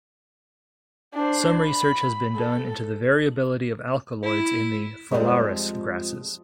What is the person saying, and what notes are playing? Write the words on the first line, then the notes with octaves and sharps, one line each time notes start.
Some research has been done into the variability of alkaloids in the "Phalaris" grasses.
D4 C5
B5
A4
E4
F2 D3 F3 G3 G#3